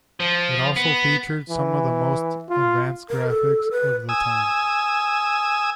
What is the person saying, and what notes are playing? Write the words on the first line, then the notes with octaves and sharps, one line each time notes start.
It also featured some of the most advanced graphics of the time.
F3
B3
E3
F4
A#4
A4
B4
G#5 D#6 E6